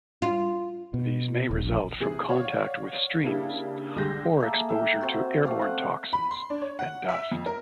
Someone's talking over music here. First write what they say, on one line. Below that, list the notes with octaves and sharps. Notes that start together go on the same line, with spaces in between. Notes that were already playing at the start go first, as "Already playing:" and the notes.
These may result from contact with streams or exposure to airborne toxins and dust.
F4
B2
E1
A#1
C3 E3 G#4
C#5 D5 F5 F#5
C#3 A#3 D4 E4 G4
C2 D3 G#3 G4 G6 A#6
A#3 G#4 A4 E5
E5 G5
C3 C4 F#4
A3 C4 D5 F5
F#5
B5
C6
D4
C#5
F#5
E5
F2
A#4